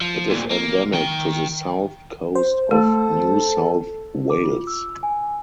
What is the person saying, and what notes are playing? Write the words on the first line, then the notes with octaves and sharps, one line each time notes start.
It is endemic to the south coast of New South Wales.
F3
D2 A#2
A#3
D#3 G5
C5
A3 A4
D6
F4
E6
G#5